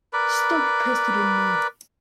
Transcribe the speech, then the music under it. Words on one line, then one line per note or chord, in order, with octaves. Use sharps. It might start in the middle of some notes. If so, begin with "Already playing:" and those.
Stop pestering me!
A#4 B4 D5 B5